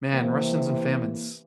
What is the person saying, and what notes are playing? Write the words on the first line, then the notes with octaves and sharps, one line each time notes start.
man, Russians and famines.
C3 E3 A#3